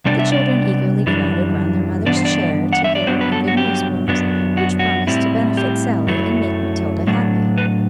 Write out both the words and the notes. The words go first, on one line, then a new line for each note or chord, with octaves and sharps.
The children eagerly crowded round their mother's chair, to hear what the good news was, which promised to benefit Sally, and make Matilda happy.
C3 G3 B3 D4 D5
E5
D5
F#2 E3 G3 D4
G2 E3 B3 D4 D5
C5
D5
F#5
E5
D5
G2 F#3 B3 D4 C5
B4
A4
F#4
G4
F#2 F#3 B3 D4
F#4
F#4
A2 G3 C4 E4
G4
F#2 F#3 A3 E4
A2 F#3 A3 D4
B4